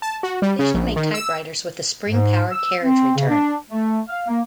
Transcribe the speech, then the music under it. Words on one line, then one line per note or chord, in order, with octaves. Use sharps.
They should make typewriters with a spring-powered carriage return.
A5
F#4
G3
C#3
A#1
D#3
E6
G#2
E6
C4
C#3
D4
A3
F5
A#3